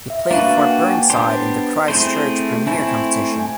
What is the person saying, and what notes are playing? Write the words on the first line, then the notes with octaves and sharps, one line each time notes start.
He played for Burnside in the Christchurch premier competition.
E5
A#3 D4 F#4 B4 F5
F#5
G5
G#5
B3 D4 G4 C5 A5
A3 C4 E4 G#4 C5
A3 C4 E4 G#5
G#5